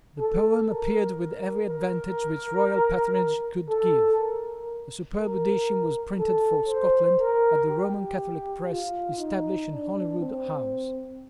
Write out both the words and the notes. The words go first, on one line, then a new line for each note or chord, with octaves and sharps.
The poem appeared with every advantage which royal patronage could give. A superb edition was printed for Scotland at the Roman Catholic press established in Holyrood House.
A4
A#4
A#4
A4
A#4
A#4
A4
C5
A#4
G4
F4
D#4
D4
C4